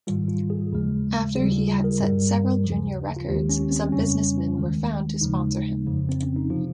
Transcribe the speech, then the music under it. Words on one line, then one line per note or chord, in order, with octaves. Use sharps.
After he had set several junior records, some businessmen were found to sponsor him.
G#2 D#3 G3 F4
F4
G#4
D#2 C#3 F3 G#3
D#2 C#3 G3 G#4
F4
G#4
A#4
G2 G3
D#2 C#3 F3
F4
D#2 D#3 G#3 G4
C#4
C4
F2 C#3 G3 C#4
D#2 D#3 G#3
D#2 C#3 F3 G#3 D#4
F2 C#3 F3
C4
C#4
D#4
C3 F3 F4